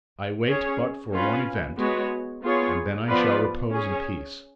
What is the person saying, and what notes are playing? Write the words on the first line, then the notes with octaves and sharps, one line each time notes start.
I wait but for one event, and then I shall repose in peace.
C#4 G#4 C#5
C#4 F4 B4
G#3 B3 F#4 C#5
B3 F4 G#4 C#5
F3 B3 F4 B4 D5
C#4 G#4 C#5